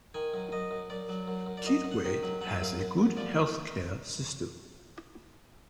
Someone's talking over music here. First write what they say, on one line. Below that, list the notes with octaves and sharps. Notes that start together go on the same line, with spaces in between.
Kitwe has a good health care system.
D#3 G#5
F#2
F#2 D#5
F#2
F#2 D5
F#3
F#2
F#2
D5
F#2 D#5
F#2
F#5
D#3
F#3
F#3 F#5
F5
E5
F#2 F5
F#2
F#2
F3 D5